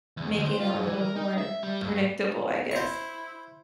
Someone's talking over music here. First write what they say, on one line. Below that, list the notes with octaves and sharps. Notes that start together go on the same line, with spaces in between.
making it a little more predictable, I guess.
E2
D2
C5
F4
F#2
E3
A#4
D#4
E5
G3
G2
E4 C5 C#6